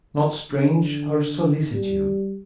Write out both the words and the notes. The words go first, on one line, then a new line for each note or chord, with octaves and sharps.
Not strange her solicitude.
D3
G3